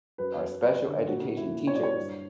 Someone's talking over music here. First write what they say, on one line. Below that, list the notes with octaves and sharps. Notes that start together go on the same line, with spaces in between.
are special education teachers.
F#2 B4
F#2
F#2 B4
D3
A#2 F#4
F#3
E4
A#2
C#5
F#3 D5
C#5
G2